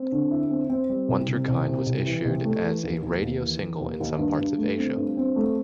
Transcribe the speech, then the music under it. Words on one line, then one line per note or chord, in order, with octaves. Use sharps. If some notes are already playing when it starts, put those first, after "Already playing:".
"Wunderkind" was issued as a radio single in some parts of Asia.
Already playing: C4
D3
E4
C4
C4
G3
C2
C3
C2
C3
C2
E3
C2
A3
E3
D#2
D#2
D#2
E3
E3
D#2
D#2
G2
G2
A3
C4
G2
C4
A3